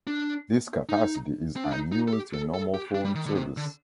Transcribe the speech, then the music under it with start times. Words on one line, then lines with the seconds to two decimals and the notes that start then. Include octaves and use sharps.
This capacity is unused in normal phone service.
0.07 D4
0.89 D#4
1.56 C4
1.64 D4
1.71 D#4
1.92 D#4
2.08 A4
2.13 G4
2.34 A4
2.54 A4
2.74 G4
2.95 D4
3.04 G3
3.15 D#3
3.26 D3
3.35 C3
3.57 D3